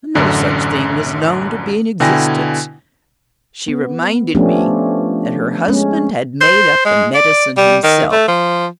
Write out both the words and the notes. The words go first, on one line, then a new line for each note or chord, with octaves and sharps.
No such thing was known to be in existence--she reminded me that her husband had made up the medicine himself.
A1 F#2 D3
B2 D3 E4 G5 G#5 A#6
B3
F3 A3 B3 C#4 D4 G4
G#3 C#4
C5
G#3
D5
G3
D#3
A3
F3